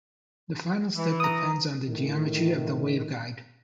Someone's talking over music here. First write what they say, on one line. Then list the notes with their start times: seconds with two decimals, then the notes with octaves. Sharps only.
The final step depends on the geometry of the waveguide.
0.96 E3
1.20 A#5 D#6
1.87 A2 D#3